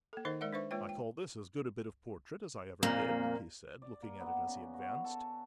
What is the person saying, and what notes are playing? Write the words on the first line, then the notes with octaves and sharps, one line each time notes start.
"I call this as good a bit of portrait as I ever did," he said, looking at it as he advanced.
A#3 A4
D#3 D#4 A#4 C5 D#5
G#3 A#4 D5 E5 F#5
D4 B4 C5 E5 C#6
G#3 A#3 F4 B4 C#5 G5
G5
F2 A#2 A#3
D5
A#3
B3
C#3
F#4
A4